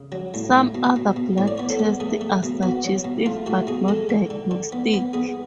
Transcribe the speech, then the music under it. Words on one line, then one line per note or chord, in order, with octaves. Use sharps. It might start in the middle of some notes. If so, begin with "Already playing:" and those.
Some other blood tests are suggestive but not diagnostic.
Already playing: C#3
F#3
A2
A2
B2
B2
B2
A2 C#5
D5
B3 C#5
A4
B3
A3 G#4
A3
B2
B3 F#4
F#3
B2
A3 F4
A3 F#4
B2 G#4
G#3 A4
D3
D3
D3
B3
B3
B3 G#4